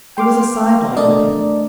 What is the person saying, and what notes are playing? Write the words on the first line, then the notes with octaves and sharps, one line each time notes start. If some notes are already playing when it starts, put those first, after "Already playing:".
It was a sideline with Him.
G5 C6 D6 F6
A3 D4 A#4 D5 D#5